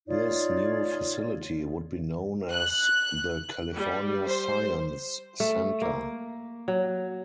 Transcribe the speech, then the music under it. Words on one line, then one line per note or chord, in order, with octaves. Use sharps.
This new facility would be known as the "California Science Center".
D#4 F4 C#5 D5
F#6
G3
C5
A3
A#3
F#3